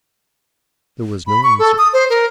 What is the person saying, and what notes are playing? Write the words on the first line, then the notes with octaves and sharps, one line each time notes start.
There was no answer.
B5
C#6
A4
D#6
C5
A#4